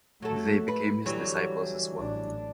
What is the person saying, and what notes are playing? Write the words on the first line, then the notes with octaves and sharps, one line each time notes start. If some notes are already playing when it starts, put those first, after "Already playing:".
They became his disciples as well.
F#3 A3 A4
B4
D3 E3 F#3 G3
A1 D4